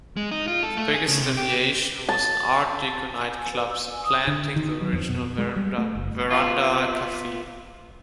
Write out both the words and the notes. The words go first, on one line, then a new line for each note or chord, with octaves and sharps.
The biggest deviation was an art deco night club supplanting the original Verandah Cafe.
G#3
D#4
F4
A4
A3
G#4
C#3
C3
G4
A5
G#5
B4
E6
G#5
D#6
D3
D#3
F#3
F2
B2
G#3
G3
A3
F#1
B3 F4